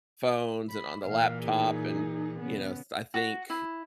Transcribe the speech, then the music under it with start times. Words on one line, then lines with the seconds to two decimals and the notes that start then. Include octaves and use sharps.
phones, and on the laptop, and, you know, s I think,
0.70 B5
1.05 A#2 E3 F5
1.44 D#4 G#4
2.39 C#3 B3
3.14 F#4
3.50 E4